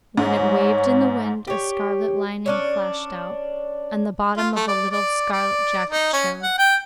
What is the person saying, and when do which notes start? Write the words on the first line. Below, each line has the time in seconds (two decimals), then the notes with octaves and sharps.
When it waved in the wind, a scarlet lining flashed out, and the bottom of a little scarlet jacket showed.
0.17 G#2 C#5
1.47 G4 C#5
2.46 C#4 D4 C#5
4.37 F4
4.55 A3
4.68 D5
4.91 D5
5.32 D5
5.89 D#4
6.13 C#4
6.43 F#5
6.58 G5